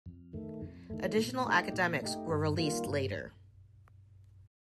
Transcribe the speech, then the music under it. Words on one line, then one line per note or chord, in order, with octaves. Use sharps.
Additional academics were released later.
F2
D#3 A3
F2
D#3 A3
A#2
A3 D#4 G4
A#2
A3 D#4 G4
G2
D#3 G3 A#3 F4
G2